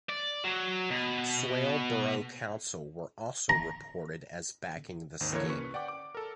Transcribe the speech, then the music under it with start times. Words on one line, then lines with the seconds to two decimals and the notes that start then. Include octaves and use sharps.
Swale Borough Council were also reported as backing the scheme.
0.10 D5
0.44 F#3
0.90 B2
3.49 A#5
5.20 G#1 D#2 D#3 C5
5.32 D3 E3 A#3 D4 A#4 C#5
5.48 C#4 B4 C#6
5.74 D5 F#5 G5 D6
5.88 D6
6.15 A4 A#4